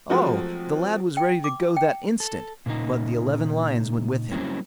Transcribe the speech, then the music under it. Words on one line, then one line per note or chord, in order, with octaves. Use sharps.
Oh! the lad was ready to go that instant; but the eleven lions went with him.
F3 F#3 G#3 A3 C4 F#4
G5
D6
G5
A4
A#2 C#3 A#3 D#4
F#3 G3 A#3 C4 C#4 E4